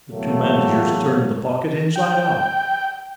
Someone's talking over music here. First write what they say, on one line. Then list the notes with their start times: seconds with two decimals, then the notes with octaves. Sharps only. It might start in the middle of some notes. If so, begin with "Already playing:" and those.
The two managers turned the pocket inside out.
0.11 E2 A2 F#3 A3 A#3
1.96 G5